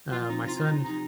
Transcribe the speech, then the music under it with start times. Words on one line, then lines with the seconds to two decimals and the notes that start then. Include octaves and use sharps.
uh, my son
0.11 F3 F4
0.29 C4 D#4
0.47 C3 F4
0.65 C3 D#4
0.83 F3 D#4